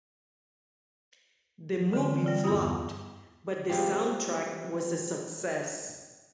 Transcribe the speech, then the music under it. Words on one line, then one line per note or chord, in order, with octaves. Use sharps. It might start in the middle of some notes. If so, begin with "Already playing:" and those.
The movie flopped but the soundtrack was a success.
D3 E3 C4
G3 F4 D5
E2 G2 B3 E4 D#6
G3 G#3 C4 F4 G4